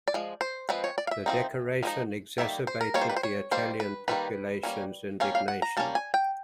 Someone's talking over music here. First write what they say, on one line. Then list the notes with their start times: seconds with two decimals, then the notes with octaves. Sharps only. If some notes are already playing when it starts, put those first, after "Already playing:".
The decoration exacerbated the Italian population's indignation.
0.08 D5
0.14 F3 G#3
0.41 C5
0.69 F3 G#3 C4 B4
0.84 C#5
0.98 D5
1.07 F5
1.11 E5
1.26 F3 G#3 C4 D#4
1.83 F3 G#3 C4 D#4
2.38 D#3 G3 A#3 E5
2.67 C5
2.81 A#4
2.94 D#3 G3 A#3 C#5
3.01 C5
3.09 B4
3.16 C5
3.23 C#5
3.51 D#3 G3 A#3 C5
3.80 B4
4.08 D#3 G3 A#3 B4
4.63 G3 A#3 C#4
5.20 G3 A#3 C#4 F5
5.35 F5
5.48 F#5
5.62 A#5
5.77 G3 A#3 C#4 A5
5.95 G#5
6.14 G5